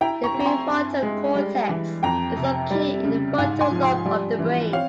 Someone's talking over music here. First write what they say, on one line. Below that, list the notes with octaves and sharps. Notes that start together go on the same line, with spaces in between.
The prefrontal cortex is located in the frontal lobe of the brain.
E4 G5 A#5
A#5 C#6
C4
A#5
G#5 C6
G2
G#3
G3
E3
F2 G5 A#5
C3
G3
C#3
G#2 F5 G#5
G#5 C6
F3
G#5 C6
G3
E3
C4 C#5 F5